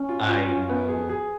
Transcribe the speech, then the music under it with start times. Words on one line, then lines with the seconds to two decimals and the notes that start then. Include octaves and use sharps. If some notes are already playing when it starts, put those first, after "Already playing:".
I know.
Already playing: C#4
0.09 F4
0.29 F4
0.48 F4
0.69 B3
0.89 G#4
1.09 G#4